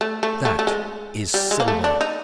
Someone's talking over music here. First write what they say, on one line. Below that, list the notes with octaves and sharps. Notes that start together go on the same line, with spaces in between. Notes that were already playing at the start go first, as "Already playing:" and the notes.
That is silver!
A3
A3
A3
A3
G#3
G3
G#3
A#3
A3
D4
D#4